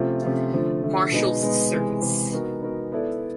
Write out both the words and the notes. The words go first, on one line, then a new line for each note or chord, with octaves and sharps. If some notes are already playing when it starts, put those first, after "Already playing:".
Marshals Service.
Already playing: C3 F3 A3 C#4 F4
C3 F3 A3 C#4 F4
D3 F3 A3
D3 F3 A3
B2 G#3 B3 D#4
B2 G#3 B3 D#4
C3 E3 G#3
C3 E3 G#3
B3 D#4 F#4 A#4
B3 D#4 F#4 A#4
B3 E4 A4 D5